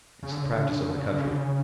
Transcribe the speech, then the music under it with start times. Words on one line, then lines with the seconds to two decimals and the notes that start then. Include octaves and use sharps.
It's the practice of the country.
0.23 C#3
0.32 D3
0.43 C#3
0.52 D3
0.62 C#3
0.70 D3
0.80 C#3
0.90 D3
0.99 C#3
1.09 D3
1.19 C#3
1.28 D3
1.37 C#3